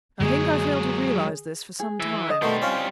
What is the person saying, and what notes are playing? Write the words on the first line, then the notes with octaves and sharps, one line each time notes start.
I think I failed to realize this for some time.
F#2 D3 F#3 G#3 A#3 G#4
G#4
E3 E5
D#5
B2 D#3 G3 A3 C5
C4 C#4 F4